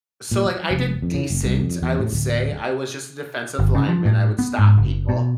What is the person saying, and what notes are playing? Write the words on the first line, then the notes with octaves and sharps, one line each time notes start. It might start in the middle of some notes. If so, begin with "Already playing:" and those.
So, like, I did decent, I would say, I was just a defensive lineman, I would stop people.
A#2
F#3
F1
F2
C#3
F#1
C2
F2
E2
A2
D1
G1
C#3
F3
A2
B3
G#2
F#1
B2